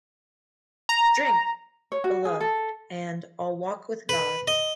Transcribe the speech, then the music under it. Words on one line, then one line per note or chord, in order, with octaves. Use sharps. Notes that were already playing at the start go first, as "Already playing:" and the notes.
Drink!," "Beloved," and "I'll Walk With God.
A#5
C#5
F#4
G#4
A4
B4
D#5